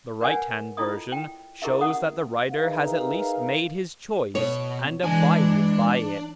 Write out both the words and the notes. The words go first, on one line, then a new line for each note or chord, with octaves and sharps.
The right-hand version shows that the writer has at least made his choice and abided by it.
A#4 B4 C#5 D5 F#5 G#5
E4 F4 A4 D5 D#5 D#6
G5
E4 G4 G#4 A#4 D#5 E5
C#4 F#5 D#6
D#4 G#4 A#4 B4 E5 F5
B2 C#5
E3 G#3 D4 G#5